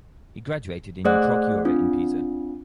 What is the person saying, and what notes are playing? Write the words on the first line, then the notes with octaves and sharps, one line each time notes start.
He graduated in utroque iure in Pisa.
A3 G#4 C5 D5 F#5 F#6
C4 D4 F4